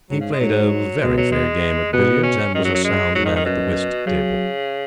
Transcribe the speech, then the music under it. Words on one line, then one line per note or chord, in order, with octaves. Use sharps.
He played a very fair game at billiards, and was a sound man at the whist-table.
G#2 F#3
C#3
G#3
G#2 F#3
B2 G#3
F#3
G#3
B2 B3
C#4
F#2 D#3
F#3
F#3
G#3
G#2 F#3
D#3
D#3
F#2 B2
C#3 F#3